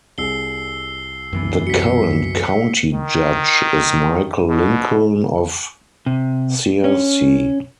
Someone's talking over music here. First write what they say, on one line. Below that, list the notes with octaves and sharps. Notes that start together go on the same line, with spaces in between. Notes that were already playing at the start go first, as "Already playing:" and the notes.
The current County Judge is Michael Lincoln of Searcy.
C2 G#4 E6 C7 G7
F#2 E3 B3
C2 F#3 B6 C#7
D#3
B2
C3
C#4